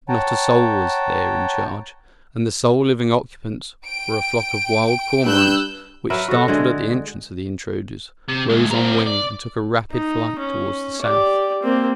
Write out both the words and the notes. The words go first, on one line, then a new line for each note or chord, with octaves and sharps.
Not a soul was there in charge, and the sole living occupants were a flock of wild cormorants which, startled at the entrance of the intruders, rose on wing, and took a rapid flight towards the south.
C#5 F#5 G5 A5 A#5
G5 D7
G2 E6 F#6 G6
F#3 A#4 B4 E5
F#4 A4
D3 G#3
C3
D2 G#3
C4 A#4
D5
D#4
C#4
G4 D5
A#3 C4